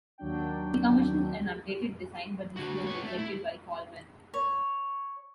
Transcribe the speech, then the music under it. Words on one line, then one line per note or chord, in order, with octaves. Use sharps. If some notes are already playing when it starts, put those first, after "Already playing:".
He commissioned an updated design, but this was rejected by Coleman.
D#2 F#3 D4 G5
D3 F#4
B3 C#5
A3
E4
C#5